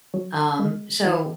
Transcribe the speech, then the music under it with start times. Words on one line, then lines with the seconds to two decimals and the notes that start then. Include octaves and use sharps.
Um, so,
0.14 F#3
0.59 G#3
1.05 E3